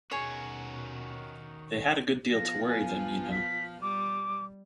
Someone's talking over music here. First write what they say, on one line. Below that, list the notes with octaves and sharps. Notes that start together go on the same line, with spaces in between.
They had a good deal to worry them, you know.
D#2 B2 D#3 C#4 F#4 G#4 C#5
F3 B3 F4 A#6
G#5
B6
G3 D6